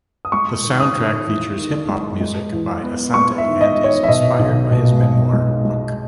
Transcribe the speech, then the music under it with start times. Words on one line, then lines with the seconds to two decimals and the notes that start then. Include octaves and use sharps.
The Soundtrack features hip-hop music by Asante and is inspired by his memoir "Buck".
0.25 D#6
0.32 G#3 C#6
0.65 D#3
0.80 D#6
0.95 D#3
1.27 E2
1.58 D#3
1.89 G#3
2.20 G#3
2.52 E2
2.83 B3
3.14 G#3 C#6
3.38 E5
3.46 D#3
3.61 D#5
3.77 D#3
3.84 C#5
4.04 E5
4.08 B2 D#5
4.39 B1
4.71 B2
5.03 B2
5.33 G#3
5.65 G#3